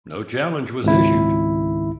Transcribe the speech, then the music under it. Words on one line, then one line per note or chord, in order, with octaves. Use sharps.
No challenge was issued.
G#1 C#2 E4